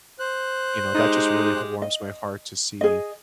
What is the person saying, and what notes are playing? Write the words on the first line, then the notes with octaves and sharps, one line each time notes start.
you know, that just really h warms my heart to see
C5 F#6
G#3 D#4 G4
D#5
G#4 D#5